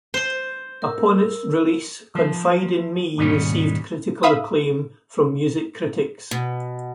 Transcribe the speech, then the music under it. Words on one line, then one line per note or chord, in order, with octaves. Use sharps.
Upon its release, "Confide in Me" received critical acclaim from music critics.
C5 C6
A#4 E6
F3
D#2 G#2 B2 G3 C#4
E5 F5 B5 D#6
B2